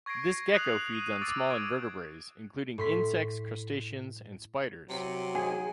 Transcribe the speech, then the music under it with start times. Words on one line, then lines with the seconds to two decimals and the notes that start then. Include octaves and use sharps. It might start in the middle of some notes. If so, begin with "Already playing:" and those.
This gecko feeds on small invertebrates, including insects, crustaceans and spiders.
0.06 C#6 G#6 A#6 C7 D7
0.53 D#6 F#6 C7 F7 F#7
0.91 C7 D#7
1.22 D6 E6 A6 D7
1.50 G#6 D7
2.78 A2 C6 B6
4.89 C3 F#3
5.35 G#4 G#5